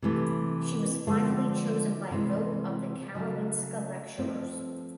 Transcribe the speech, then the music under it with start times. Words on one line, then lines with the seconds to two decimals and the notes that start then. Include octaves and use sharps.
She was finally chosen by vote of the Karolinska lecturers.
0.02 C3 E3 A3
1.07 D3 F3 G#3
2.11 C3 E3 G#3
3.15 C#3 F#3 A3
4.18 F3 A3 C4